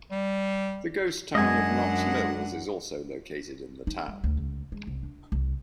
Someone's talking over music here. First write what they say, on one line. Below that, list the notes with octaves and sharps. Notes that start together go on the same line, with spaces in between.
The ghost town of Knox Mills is also located in the town.
G3
F#2 G#3 D4 D#5 F#5 G#5
D#4
G3
D2
C#2
G#3
C2
D4
C2